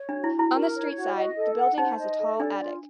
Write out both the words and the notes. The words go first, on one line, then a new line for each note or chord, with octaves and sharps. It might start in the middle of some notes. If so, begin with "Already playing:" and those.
On the street side, the building has a tall attic.
Already playing: C#5
D4 F#4
E4
F#4
E4
A#4
C#5
F#4
D#5
A4
F#5
D#4 C5
D#5
A4
D4 D5
F4